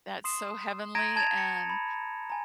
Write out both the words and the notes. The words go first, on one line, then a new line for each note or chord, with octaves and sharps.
That's so heavenly and,
C6 D#6 C7 E7
A#5 G#6 A#6 D7 D#7
A5 G#6 A6 E7 F7
C#7
B5
G#5 A#5